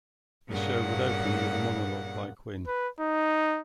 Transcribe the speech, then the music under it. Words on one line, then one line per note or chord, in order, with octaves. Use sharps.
The show would open with a monologue by Quinn.
G2 A#2 C#3 A#3 F#5
B4
D#4